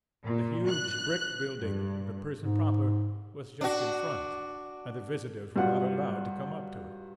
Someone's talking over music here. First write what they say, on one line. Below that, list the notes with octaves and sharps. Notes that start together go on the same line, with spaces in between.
The huge brick building, the prison proper, was just in front, and the visitors were not allowed to come up to it.
A#2
F#6
G2
G#2
D4 F#4
G2 F#3 F4 F#5